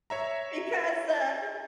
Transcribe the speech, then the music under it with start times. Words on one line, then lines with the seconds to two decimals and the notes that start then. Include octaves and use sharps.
Because, uh,
0.10 C#5 E5 A#5